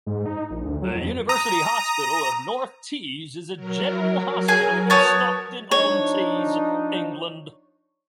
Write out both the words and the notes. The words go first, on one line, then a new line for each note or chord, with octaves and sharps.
The University Hospital of North Tees is a general hospital in Stockton-on-Tees, England.
G#2
D#4
A#1
D2
F#3
F2
A#5 D#6
F#3 A#4
G#4 G#5
B3 C#5 A5
F3 D4 D#4 C#5